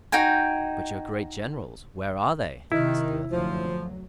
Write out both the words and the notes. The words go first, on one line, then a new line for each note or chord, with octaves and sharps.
"But your great Generals--where are they?" asked the other.
D#4 F#4 G5 G#5
C3 D#3 E4
F#1 D2 F3 F#3